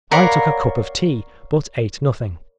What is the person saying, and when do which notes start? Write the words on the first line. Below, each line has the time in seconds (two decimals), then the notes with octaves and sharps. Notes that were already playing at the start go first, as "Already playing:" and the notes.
I took a cup of tea, but ate nothing.
0.11 A#4 C#5 D5 F5 F#5 B5